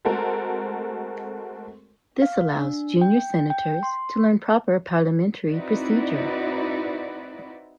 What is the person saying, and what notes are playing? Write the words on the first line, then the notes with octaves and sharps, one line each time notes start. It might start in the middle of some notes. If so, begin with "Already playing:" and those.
This allows junior senators to learn proper parliamentary procedure.
G#3 A3 C4 F#4 A4 A#4
F5
D4
G5
G5
C6
C4 D#4 E4 F#4 B4 D5